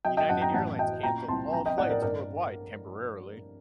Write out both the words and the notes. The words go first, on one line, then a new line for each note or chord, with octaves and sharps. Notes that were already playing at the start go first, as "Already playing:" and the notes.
United Airlines cancelled all flights worldwide temporarily.
F#3 D#5 G5
D#5 G5
F#2 F#5 A5
G5 A#5
A1 F#5 A5
F#3 D#5 G5
A#2 G5 A#5
C2 A5 C6
A#1 G5 A#5
D#5 G5
A2 D5 F#5
A#4 D5
G2 A#4 D5